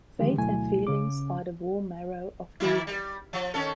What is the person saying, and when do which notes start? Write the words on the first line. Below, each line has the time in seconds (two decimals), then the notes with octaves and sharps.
Faith and feelings are the warm marrow of evil.
0.19 D3 D#3 F3 G#3 G4
0.38 D2 B2 F#3 A3 E4 G#5
0.87 C#3 C#4 D6
2.60 D#3 A#3 E4
2.87 G3
3.33 F3
3.54 D#3 C#4 A4